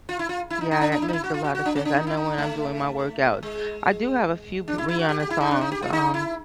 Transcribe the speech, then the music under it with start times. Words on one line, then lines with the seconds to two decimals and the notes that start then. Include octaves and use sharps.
Yeah, that makes a lotta sense, I know when I'm doing my workout. I do have a few p Rihanna songs, um,
0.09 F4
0.19 E4
0.29 F4
0.50 E4
0.61 D#4
0.71 D#4
0.81 D4
0.92 D4
1.02 E4
1.08 D#4
1.13 E4
1.24 F#4
1.34 F4
1.44 F#4
1.55 F#4
1.65 D4
1.76 C#4
1.85 D4
1.96 D#4
2.07 E4
2.17 D#4
2.38 A3
3.43 G#3
4.68 D4
4.78 E4
4.88 E4
4.99 F#4
5.09 G4
5.20 G4
5.30 E4
5.41 D#4
5.51 D4
5.61 D#4
5.72 G4
5.82 F4
5.93 D#4
6.14 E4